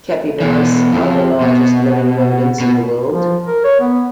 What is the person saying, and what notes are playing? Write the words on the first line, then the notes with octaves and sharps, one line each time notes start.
Capybaras are the largest living rodents in the world.
B2 E3
F2
B2
B2
F3
A#4
C#5
B3